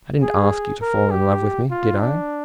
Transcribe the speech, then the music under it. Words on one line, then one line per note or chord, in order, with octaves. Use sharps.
I didn't ask you to fall in love with me, did I?
G#4
A#4
G4
F4
D4